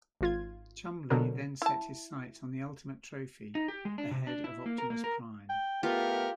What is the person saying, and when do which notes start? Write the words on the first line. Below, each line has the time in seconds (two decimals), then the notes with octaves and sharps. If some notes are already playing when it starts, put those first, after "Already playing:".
Cholmondeley then set his sights on the ultimate trophy, the head of Optimus Prime.
0.21 G#1 F4 G#6
1.10 B2 D3 F#3 A#4
1.62 E4 A5
3.55 D#4
3.68 G4
3.85 G#3
3.98 D4
4.11 C3
4.27 D4
4.44 E4
4.66 A#3
4.78 A#4
4.90 A#3
5.04 A#4
5.50 G5
5.83 A3 B3 F4 G4 A#4